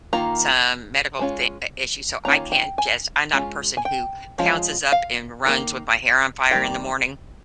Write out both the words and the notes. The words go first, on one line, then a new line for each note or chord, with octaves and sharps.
some medical thing uh, issues, so I can't just I'm not a person who pounces up and runs with my hair on fire in the morning.
D#3 A#3 F4 A#5
G#3 C#4 F4
D#3 A#3 C#4 F4 A#5
G5
G#5
G#3 C#4 F4
G#5
G5
F3 G#3 C#4 F4
F5
D#3 G3 A#3
D#3 G3 A#3 G5